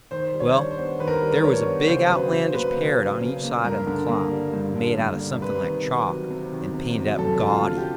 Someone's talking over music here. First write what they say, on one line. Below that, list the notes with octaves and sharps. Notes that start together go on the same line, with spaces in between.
Well, there was a big outlandish parrot on each side of the clock, made out of something like chalk, and painted up gaudy.
D#3 C5
G3
C#5
D4
C5
B3
D#3 B4
A#4
B4
G3
D4 C#5
B3
C#3 C5
F#3 B4
C#3 C5
A#3 B4
C#3
F#3
C#3
A#3
G2 A#4
D3
A#3
G3
G2
D3
A#3
G3
C3 B4
D#3
C3
F#3
C3
D#3
C3
F#3
F#2 A4
D3
F4
F#2
G4